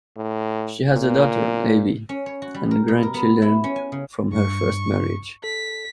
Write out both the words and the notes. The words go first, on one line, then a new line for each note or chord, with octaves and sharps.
She has a daughter, Abi, and grandchildren, from her first marriage.
A2
A#2
C#4
C#5
F#4
G3
A#4
B2
A#4
B3
E4
C#4
G#5
C#3
G2 C#6
A4 B6